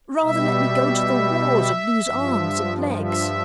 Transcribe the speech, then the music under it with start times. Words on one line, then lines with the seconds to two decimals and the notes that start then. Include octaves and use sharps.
Rather let me go to the wars and lose arms and legs!
0.22 B2 G3 E5
2.09 G2 F3
3.02 E5